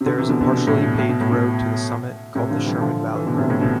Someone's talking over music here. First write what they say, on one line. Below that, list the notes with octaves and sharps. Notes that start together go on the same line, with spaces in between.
There is a partially paved road to the summit called the Sherman Valley Road.
C3
B2 D3
C3 E3
B2 D3
B2 D3
B2
A2
B2
A2
B2
A2
B2
A2 C3
D3 F3
E3 G3
D3 F3
E3
B2 D3
A2 C3
A2
B2